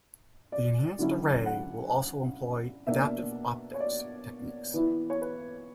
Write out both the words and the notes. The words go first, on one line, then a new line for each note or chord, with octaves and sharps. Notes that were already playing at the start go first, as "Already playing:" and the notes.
The enhanced array will also employ adaptive optics techniques.
D5
D3 F#3 C#4 E4
F#5
B2 A#3 D4 E5
C#5
D5
E3 B3 E4
C#5
B4